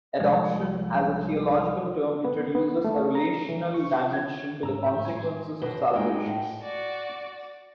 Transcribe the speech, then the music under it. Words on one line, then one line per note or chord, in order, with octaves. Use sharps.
Adoption as a theological term introduces a relational dimension to the consequences of Salvation.
C2 F3 G#3
B3
B3
A3
A#5
E3
C#6
F4
G#6
G#2 A#5 E6
A2 F3 G4 B5
G#2 G#5 C6
F#2 B2
G#3 B3 D#4 F4 G5
A2
F#4 D5